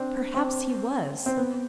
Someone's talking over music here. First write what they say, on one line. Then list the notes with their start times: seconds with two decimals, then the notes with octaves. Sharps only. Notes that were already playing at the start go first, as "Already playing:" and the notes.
'Perhaps he was.
Already playing: C4 D4
0.34 C4
1.26 C4
1.37 B3